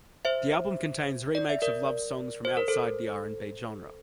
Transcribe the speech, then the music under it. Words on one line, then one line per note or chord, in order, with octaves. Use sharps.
The album contains remakes of love songs from outside the R and B genre.
C5 E5
D5
E5
A#4 D5
C5
A#4
A4 C5